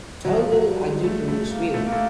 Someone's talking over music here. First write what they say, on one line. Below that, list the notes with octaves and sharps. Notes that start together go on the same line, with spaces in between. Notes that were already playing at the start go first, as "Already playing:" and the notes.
Dougal agreed to this view.
F#3
F3
F#3
G3
G#3
A3
A3
A#3
A3
A#3
A3